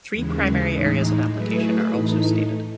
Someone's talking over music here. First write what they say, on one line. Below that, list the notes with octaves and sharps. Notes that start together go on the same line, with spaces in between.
Three primary areas of application are also stated.
D#2 C#3 E3 G#3
A2 E3 G#3 D#4
F#3 A3 E4 G#4 B4
A2 E3 A3 D#4